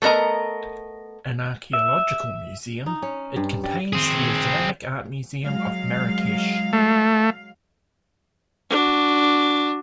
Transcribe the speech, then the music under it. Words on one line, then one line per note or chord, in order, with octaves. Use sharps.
An archaeological museum, it contains the Islamic Art Museum of Marrakech.
A3 B3 A#4 D#5 A#5
E5
D#4
C#4
G2
G3
C4 G#4
F#3 G#3 F5
A3
D4 F#4